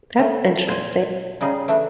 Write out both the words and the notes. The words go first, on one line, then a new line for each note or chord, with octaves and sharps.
That's interesting.
C#3 A3
A#2 C5 G#5
C#3 G3 D#4 G#4
E3 A3 D4